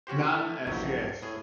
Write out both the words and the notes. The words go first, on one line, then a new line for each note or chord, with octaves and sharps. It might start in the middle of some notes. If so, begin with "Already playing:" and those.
None as yet.
C#4 F#4 G4 C5
A3
A#1 E2 G2 F#3 G4
A2 G#4